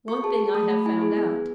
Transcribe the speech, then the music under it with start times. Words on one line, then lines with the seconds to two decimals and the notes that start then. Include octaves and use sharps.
One thing I have found out.
0.08 F#4 C#6
0.23 G#4 A5
0.39 G#4 A5
0.55 A3 D#6
0.70 A3 B5
0.86 E4 G#5
1.01 G#4
1.17 B3 G#5
1.33 G#4